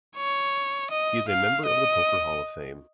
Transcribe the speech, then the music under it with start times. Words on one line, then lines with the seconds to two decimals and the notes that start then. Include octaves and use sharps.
He is a member of the Poker Hall of Fame.
0.17 C#5
0.91 D#5
1.28 F5
1.66 D#5